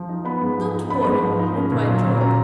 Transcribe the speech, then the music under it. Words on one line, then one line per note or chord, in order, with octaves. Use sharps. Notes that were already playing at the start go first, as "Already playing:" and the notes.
"Don't worry," replied Trot.
Already playing: F3
D#4
B3 B5
G#2
F3
D#4
B3 B5
G#2
F3
D#4
C#4
A#2
F#3
A#2
C#4 A#5